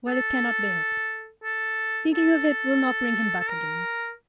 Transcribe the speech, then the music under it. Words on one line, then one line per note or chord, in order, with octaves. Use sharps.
Well, it cannot be helped. Thinking of it will not bring him back again.
A4
A4
A4
A4
A#4